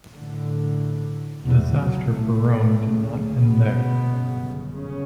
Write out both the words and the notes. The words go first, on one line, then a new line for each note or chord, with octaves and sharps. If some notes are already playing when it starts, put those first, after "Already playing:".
The disaster for Rome did not end there.
A1 A2 D3
B1 E2 B2 E3
F#2 F#3
A2 A3
D2 C#3
B2 B3
G1 F#2 C#3
C#3 C#4